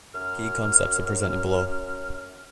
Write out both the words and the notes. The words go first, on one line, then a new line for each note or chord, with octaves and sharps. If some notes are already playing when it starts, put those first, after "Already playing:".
Key concepts are presented below.
F#2 F6